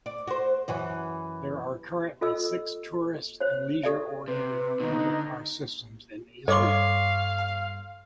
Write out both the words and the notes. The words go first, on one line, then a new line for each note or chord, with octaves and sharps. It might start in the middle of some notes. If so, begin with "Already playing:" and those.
There are currently six tourist and leisure oriented cable car systems in Israel.
D5
F#4 C5
F#2 E3 F#4
F4 A4 D#5 E6
C5 C#5
G4 A4 D5 E5
C3 B4
D#2 B2 D#4
D3
G2 A4 C#5 D#5 F5 C6 D6